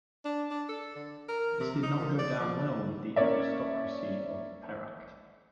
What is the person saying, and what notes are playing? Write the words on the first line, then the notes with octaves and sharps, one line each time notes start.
This did not go down well with the aristocracy of Perak.
D4
D4
A4
D3
A#4
C3
D#4
A#2
D5
F3
A#3 C#4 C#5 D5 E5